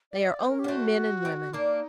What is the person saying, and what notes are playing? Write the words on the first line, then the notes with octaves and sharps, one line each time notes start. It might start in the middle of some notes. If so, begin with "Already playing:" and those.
They are only men and women.
D5
D#5
D5
C5
A#4
G4
A#3
A3 C4 F#4
C4 D#4
A#3 D4 D#4